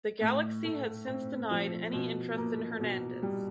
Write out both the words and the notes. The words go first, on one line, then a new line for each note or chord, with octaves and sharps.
The Galaxy has since denied any interest in Hernandez.
A2
A3
C4
F3
B2
A#3
B2
G3